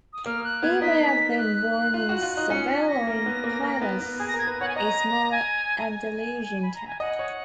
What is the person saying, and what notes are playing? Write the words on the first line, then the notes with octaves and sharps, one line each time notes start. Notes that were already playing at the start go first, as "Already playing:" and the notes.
He may have been born in Seville or in Pilas, a smaller Andalusian town.
D#6
A#3 F6
F#6
B3 G#6
D#4 B6
F#6
F4
F#4
F4
D#4
C#4 C#7
B6
G#6
A#6
A#3
B3
A#3
A#3
B3
B3
G#4 G#6
A#6
A#4 G#6
B4
C#5 F#5
G#5
D#5 A#5
G#5
A#5
G#5
B5
A#5
G#5
D#5 F#5
C#5